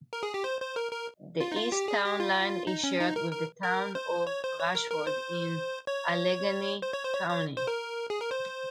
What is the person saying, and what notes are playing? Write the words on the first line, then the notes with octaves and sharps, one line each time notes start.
The east town line is shared with the town of Rushford in Allegany County.
A#4
G#4
G4
C5
C5
A#4
A#4
F4
D#4
F4
G4
G#4
G4
F4
D#4
C#4
D#4
A#4
A#4
A#4
C5
C#5
C5
C#5
A#4
A#4
C5
C#5
C5
C#5
C5
C#5
C#5
C5
A#4
G#4
A#4
C5